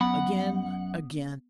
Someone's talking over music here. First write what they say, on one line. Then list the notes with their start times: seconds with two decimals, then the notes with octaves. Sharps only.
Again! again!
0.01 F#2 B3 F#5 B5